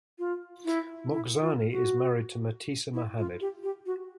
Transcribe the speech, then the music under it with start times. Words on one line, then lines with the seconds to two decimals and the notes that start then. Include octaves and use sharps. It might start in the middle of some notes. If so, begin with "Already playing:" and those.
Mokhzani is married to Mastisa Mohamed.
0.19 F4
0.65 E4
1.11 E4
1.41 F4
1.71 F#4
2.94 E4
3.18 F4
3.41 G4
3.63 G4
3.86 F#4